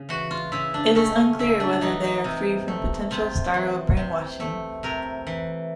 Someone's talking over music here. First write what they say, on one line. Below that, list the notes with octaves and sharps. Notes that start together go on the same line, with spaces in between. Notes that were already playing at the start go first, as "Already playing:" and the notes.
It is unclear whether they are free from potential Starro brainwashing.
Already playing: C#3
E3 F#4
F4
C#3 E4
D4
A3 C#4
C#4
C#3 E4
D4
D4
E3 D#4
D#4
C3
A3
C3 F4
E3
C3
A3
C3 A#4
E3